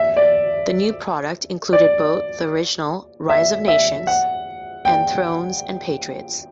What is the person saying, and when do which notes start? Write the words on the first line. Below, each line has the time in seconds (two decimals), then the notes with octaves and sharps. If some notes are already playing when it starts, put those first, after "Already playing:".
The new product included both the original "Rise of Nations" and "Thrones and Patriots".
Already playing: E5
0.17 D5
1.73 D5
3.29 E5
3.68 E5
4.07 F#5
4.85 G5